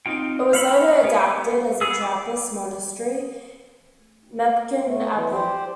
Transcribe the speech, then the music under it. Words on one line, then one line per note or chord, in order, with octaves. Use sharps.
It was later adapted as a Trappist monastery, Mepkin Abbey.
C4 D#4 F4 G5
F5 F#5 B5 E6
B3 G4 G#5
B3 G#4 E6
D6
A2 A3
E3 B3
G4 C5 D5